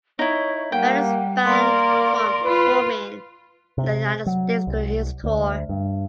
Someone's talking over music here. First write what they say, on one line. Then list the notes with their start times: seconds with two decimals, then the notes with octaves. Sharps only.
Brown is banned from performing in the United States during his tour.
0.19 D#4 E4 C#5
0.72 G3 A#3 F#5 G5
1.45 A#3 A#4 D5 C6
2.44 F4 B4
3.78 C3
4.26 F#3
4.67 C2
5.24 D2
5.69 G2